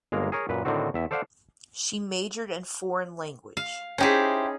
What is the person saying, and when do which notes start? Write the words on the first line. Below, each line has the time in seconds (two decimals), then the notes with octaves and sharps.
She majored in foreign language.
0.12 G1 G#3 A#3 A#5
0.32 G#4 A#4 C#5
0.49 F#2 A#2 B4
0.65 A2 D3 D#3 C4 F#4
0.94 E2 E5
1.11 A4 C5 D5 F5 F#5
3.57 F5
3.98 C#4 D#4 E4 G4 G#4 C5